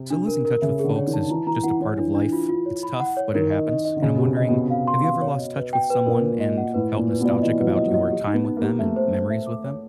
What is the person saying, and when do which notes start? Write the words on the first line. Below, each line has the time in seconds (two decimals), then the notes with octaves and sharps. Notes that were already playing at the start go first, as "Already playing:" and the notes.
So losing touch with folks is just a part of life, it's tough, but it happens, and I'm wondering, have you ever lost touch with someone and felt nostalgic about your time with them and memories with them?
Already playing: C3
0.10 D4
0.27 A#4
0.45 A#4
0.62 C#3 E5
0.79 D3 G#4
0.96 C#5
1.07 D#3
1.14 A5
1.29 E3 A#5
1.47 E3 A#5
1.63 E3 F#5
1.81 E3 C#5
1.98 E3 D4
2.15 D4
2.33 F4
2.49 F4
2.66 C#5
2.83 B5
3.00 F#5
3.17 C#5
3.34 D#3 A#4
3.51 D#5
3.68 D#5
3.85 D#5
3.97 D3
4.02 C#3 D#5
4.15 B2 G4
4.24 C3
4.37 D#5
4.48 B2 G4
4.71 F5
4.88 C6
5.04 F5
5.22 C#5
5.39 D#5
5.56 B4
5.73 G5
5.90 B4
6.06 A#2 A#4
6.24 A#4
6.40 D#5
6.58 F#5
6.74 A2 B4
6.92 A#2 B4
7.09 B4
7.21 B2 D5
7.42 E3 D#5
7.60 F#3 B4
7.65 F3
7.76 D#5
7.88 F#3
7.94 D#5
8.11 G4
8.27 D#4
8.34 B3
8.45 D#4
8.57 A#3
8.63 G4
8.79 A3 E5
8.96 C5
9.13 C5
9.30 E5
9.47 D6
9.64 C#5